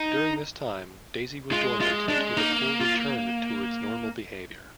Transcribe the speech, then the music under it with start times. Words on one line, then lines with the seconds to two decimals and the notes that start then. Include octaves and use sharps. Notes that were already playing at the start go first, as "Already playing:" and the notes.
During this time, Daisy was dormant until the pool returned to its normal behavior.
Already playing: D#4
1.52 G#3 F4
1.80 G#3 F4
2.08 G#3 D4
2.37 A#3 D#4
2.80 F4